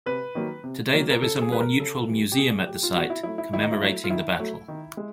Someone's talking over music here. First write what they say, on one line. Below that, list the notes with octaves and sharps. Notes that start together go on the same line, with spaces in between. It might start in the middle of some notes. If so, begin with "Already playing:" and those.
Today there is a more neutral museum at the site commemorating the battle.
C3 B4
D#3 F#3 A#3
C3
D#3 F#3 A#3
A#4
C#3 A4
A4
G#4
E3 G3 A#3 B4
A#4
C#3 A4
E3 G3 A#3
G4
B2 G#4
F#3 A3 G4
F4
B2 F#4
E4
F#3 A3 E4
E4
D#3 E4
D#4
E4
F#3 A3
F4
D#3 E4
F#3 A3
D#3
G#3